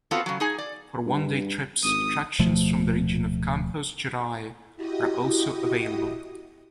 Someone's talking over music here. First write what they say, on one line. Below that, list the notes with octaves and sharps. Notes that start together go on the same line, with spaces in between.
For one day trips, attractions from the region of Campos Gerais are also available.
B3 C4 F4 F#4 A4
C#3 F#3
D#4 G#4 G#5
D5
G2
G#1 D#6
D1 B2 F3 A3
E4 F#4 G4 D#5 D#6